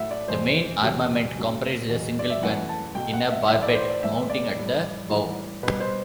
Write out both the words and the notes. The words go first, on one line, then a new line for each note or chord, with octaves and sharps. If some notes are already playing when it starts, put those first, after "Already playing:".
The main armament comprised a single gun in a barbette mounting at the bow.
Already playing: A2 F#3 A3 E5 F#5
D5
E2 B2 A3 C5
E2 C3 F#3 A3
F#2 F#3 A3
E2 B2 F#3
D5
E5
F#2 E3 A3 F#5
A5
B2 F#3 A3 G5
F#5
E5
A2 E3 A3 E5
D5
C5
D5
A2 E3 A3 E5
D5
A2 G3
A2 E3 G3
B2 G3 B4
C5